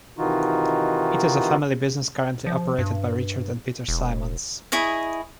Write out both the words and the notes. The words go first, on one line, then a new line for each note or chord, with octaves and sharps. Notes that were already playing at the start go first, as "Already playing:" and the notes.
It is a family business currently operated by Richard and Peter Simons.
C3 D#3 E3 D#4 F4 F#4
F3
G2
E1
E4 G#4 C#5 D#5